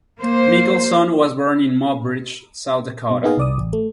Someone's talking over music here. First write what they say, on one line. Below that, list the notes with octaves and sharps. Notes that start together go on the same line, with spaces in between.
Mickelson was born in Mobridge, South Dakota.
A#3 C5
B2
A#3 B3 D#4 G#4 D#5 F5
C2 D5 D#6
A1
A3